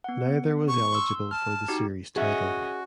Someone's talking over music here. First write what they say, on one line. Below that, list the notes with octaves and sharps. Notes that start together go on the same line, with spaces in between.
Neither was eligible for the series title.
B3 F#5
C#6
C6 E6
A5 F6
D#4 F#4 G4
C#4 F#4 G#4 D#5 E5